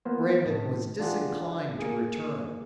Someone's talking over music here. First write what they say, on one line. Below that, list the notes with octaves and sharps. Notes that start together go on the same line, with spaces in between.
Brandon was disinclined to return.
F3 A#3 B3 C5
A2 D#3
E3 D4 F4 G4 G#4 F#5
A#3 G#4